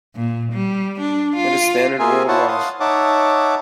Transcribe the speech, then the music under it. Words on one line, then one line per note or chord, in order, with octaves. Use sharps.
It is standard worldwide.
A#2
G3
D4
F4
A#3 F4 G#4 A#4 E5 G#5
E4 F4 C5 C#5 F#5 A5
F5 F#5 C6 D#6
D#4 C#5 E5 F#5 A5 D6